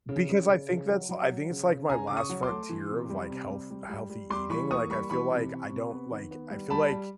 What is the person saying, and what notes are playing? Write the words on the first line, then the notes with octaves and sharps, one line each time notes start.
Because I think that's I think it's like my last frontier of like health healthy eating, like, I feel like I don't like, I feel like
C#3
C#3
C#3
C#3
F#3
F#3
F#3
C#3
C#3
C#3 G#5 A#5
C#3 D6
C#6 D#6
F#3
C6 D6
A3
E3
C3
G3
C3
G3
G3
G3
G3
G3 C6 D6
E3 B5 C#6
A#3 C#6 D#6
G3 B5 C#6
E3 B5 C#6
C3
C3
C3
B3
D#3
B3
G3
G3 A5 B5
G3